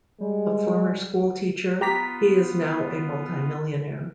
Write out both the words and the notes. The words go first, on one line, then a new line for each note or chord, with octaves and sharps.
A former school teacher, he is now a multi-millionaire.
G3 G#3
B3 F4 G4 A#5 B6